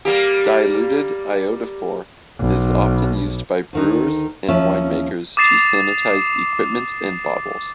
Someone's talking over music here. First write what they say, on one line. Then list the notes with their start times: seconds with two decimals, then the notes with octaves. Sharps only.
Diluted iodophor is often used by brewers and winemakers to sanitize equipment and bottles.
0.05 G3 A#3 G4
2.38 B1
3.73 D2 D#3 D#4
4.48 D#2 F3 C#4 E5
5.37 D6 D#6 A6 C7 E7